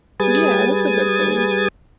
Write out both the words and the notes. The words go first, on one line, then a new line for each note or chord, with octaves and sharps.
Yeah, that's a good thing.
G3 G#4 B4 D#6 G#6 A6